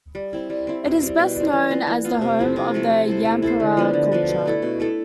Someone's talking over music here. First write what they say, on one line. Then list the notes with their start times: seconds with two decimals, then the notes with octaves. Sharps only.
It is best known as the home of the Yampara culture.
0.15 G3
0.33 C4 E4
0.50 G3
0.67 C4 E4
0.84 B2
1.02 G3 C4
1.19 B2
1.36 G3 C4
1.53 E3
1.71 B3 F4
1.87 E3
2.05 B3 F4
2.21 C3
2.39 F3 A3 E4
2.56 C3
2.74 F3 A3 E4
2.90 A3
3.07 E4 A4 C5
3.25 A3
3.42 E4 A4 C5
3.60 D3
3.77 F3 B3 D4
3.93 D3
4.12 F3 B3 D4
4.29 B2
4.45 A3 E4 A4
4.62 B2
4.80 A3 E4 A4